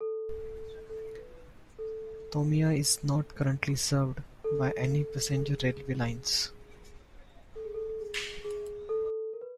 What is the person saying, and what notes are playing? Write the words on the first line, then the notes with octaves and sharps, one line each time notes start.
Tomiya is not currently served by any passenger railway lines.
A4
A4
B4
A4
A4
A4
G#4
G#4
A4
G#4
A4
A4
G#4
G#4
A4
A#4
B4